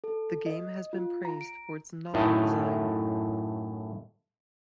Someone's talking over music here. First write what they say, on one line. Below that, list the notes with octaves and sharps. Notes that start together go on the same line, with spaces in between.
The game has been praised for its novel design.
A4
D#5
F4
A#5
D7
F#2 A2 A3 D#4 E4